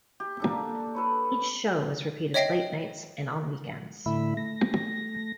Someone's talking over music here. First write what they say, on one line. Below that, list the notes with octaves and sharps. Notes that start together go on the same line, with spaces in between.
Each show is repeated late nights and on weekends.
G4
A#3 D4 A4
A4 B4 C#5
C#5 D#5 E5 G5 A#6 C7
A2 D3 A3 E4 E5 B5
A3 A#6